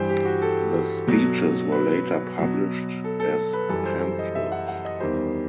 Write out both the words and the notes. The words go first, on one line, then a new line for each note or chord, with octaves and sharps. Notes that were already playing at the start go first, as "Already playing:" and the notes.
The speeches were later published as pamphlets.
Already playing: G2 E3 G3 C5 G5
G4
F#4
A4
B2 F#3
B4
B2 F#3
A4
A4
B4
F#2 E3 G3 A4
C5
D#5
E5
F#5
F#5
D#5
E2 D#3 G3 C5